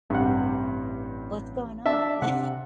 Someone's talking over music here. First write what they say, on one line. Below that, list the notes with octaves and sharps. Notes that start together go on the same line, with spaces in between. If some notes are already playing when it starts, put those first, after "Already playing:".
"What's going on?" Like
A1 G2 C3 F#5
D4 E5 A5
C3 F#5